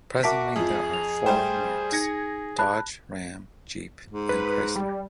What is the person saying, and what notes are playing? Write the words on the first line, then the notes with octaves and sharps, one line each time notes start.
Presently there are four marques: Dodge, Ram, Jeep, and Chrysler.
F#4 A#4 E5 A5 D6 B6
F2 F3 G#4
F7
G3 A3 C5 G5
D#4 G#6 A#6 C#7
A5 B5 F#6
G#2
B4
G3